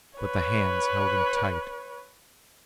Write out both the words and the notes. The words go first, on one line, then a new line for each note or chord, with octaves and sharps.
But the hands held him tight.
B4 C#5